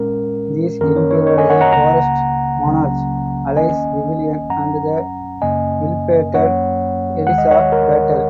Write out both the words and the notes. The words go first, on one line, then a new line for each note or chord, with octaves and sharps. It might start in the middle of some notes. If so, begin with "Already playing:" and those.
These included the "Forest Monarch", "Alice Vivian", and the ill-fated "Eliza Battle".
Already playing: A#2 G#3 C#4 A#4
F#2 D#3 A#3 C#4 A#4
C#5
C#5
C#5
D#5 G#5
C#5 F#5
F#5 A#5
C#2 C#3 A#3 F#5 A#5
C#2 C#3 F#3 A#3 C#4
D#2 D#3 A#3 C#4 D#5 G#5
F#2 F#3 C#4 F#5 A#5
F#2 C#3 A#3 C#4 D#5 G#5
F#2 F#3 A#3 C#4 C#5 F#5
D#2 D#3 G#3 F#5
D#5
C#5 F#5
A#4